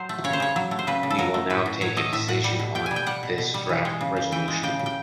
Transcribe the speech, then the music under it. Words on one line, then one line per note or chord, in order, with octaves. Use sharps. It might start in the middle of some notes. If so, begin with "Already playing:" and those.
We will now take a decision on this draft resolution.
Already playing: F#3 C5
A3
C#3 C#5
C5
C#3 C#5
F#3
A3
C5
C#3 B4
C#3
A4
F#3 A#4
A3
A2 B4
A2
F#3 C#5
A3 D#5
A2 E5
A2 F#5
G3
B2
B2 G5
G3 G#5
G5
G3 F#5
B2
B2
G3
E3
G#3
C#3
C#3
E3 G5
G#3
C#3 G5
C#3
G5